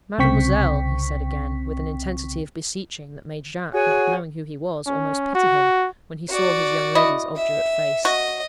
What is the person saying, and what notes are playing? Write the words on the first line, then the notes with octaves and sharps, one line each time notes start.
'Mademoiselle!' he said again, with an intensity of beseeching that made Jacques--not knowing who he was--almost pity him, when he saw his young lady's obdurate face.
C2 C#3 C4 G5 C#6 B6
F#4 G#4 C#5 F#5 G#5
C#4
F#4
F#4 D5
E4 D#5
E5
F#4 D#5